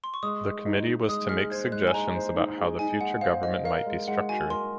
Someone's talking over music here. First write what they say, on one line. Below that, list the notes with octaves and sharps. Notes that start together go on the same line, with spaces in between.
The committee was to make suggestions about how the future government might be structured.
C6
C#6
G#3 D#6
G#3
D#4
D#4
G#3 D#6
G#4 F6
C5 G#6
G#3 F#6
G#5
G#3 A#5
C5
D#4
G#4
D#4 G#5
G#3 F#5
C5 F5
C5 D#5
A#4 F5
G#3
G#3 F#5
F#4 G#5
A#4 C6